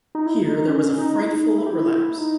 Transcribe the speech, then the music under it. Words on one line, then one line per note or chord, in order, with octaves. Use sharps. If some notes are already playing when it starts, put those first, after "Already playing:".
Here there was a frightful relapse.
D#4
E4
D#4
C#4
D#4
E4
D#4
E4
G4
E4
E4
D#4